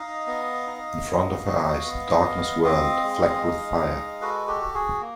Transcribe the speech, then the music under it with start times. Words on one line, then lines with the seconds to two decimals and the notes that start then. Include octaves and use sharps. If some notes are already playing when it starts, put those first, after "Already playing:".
In front of her eyes the darkness whirled, flecked with fire.
Already playing: D#4 D#5 F5
0.27 B3
0.67 D#4
1.06 B3
1.46 F#4
1.85 B3
2.24 B3
2.64 C4 D#5 F5
3.03 G#3
3.43 D#4
3.83 G#3
4.21 F#4 A4 B4
4.47 G4 A4
4.61 F#4
4.74 F#4 G#4
5.01 A#3